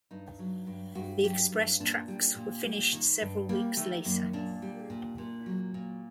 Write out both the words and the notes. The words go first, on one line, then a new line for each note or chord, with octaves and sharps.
The express tracks were finished several weeks later.
G2 D#4
F#3
G2
G2 F#4
F#3 G4
G2
A#2 D4
G3
A#2
G3
D#3
G2
G3 A#3
D#3 A3
F#2 A#3
A#2 D4
G3
A#2
A#2
F#3
A#2